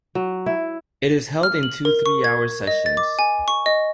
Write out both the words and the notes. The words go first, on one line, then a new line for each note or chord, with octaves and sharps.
It is held in two three-hour sessions.
F#3
E4
F6
F#7
A#4
C#6
G#6
D#5
A6
D6
G#5
C#6
D#5